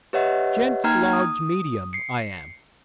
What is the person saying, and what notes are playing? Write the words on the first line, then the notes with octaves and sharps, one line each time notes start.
"Gents' large medium, I am."
G4 B4 C#5 D#5 E5 F#5
A#3 D#4 G5 A#5 F6 G#6
D#6
C7 C#7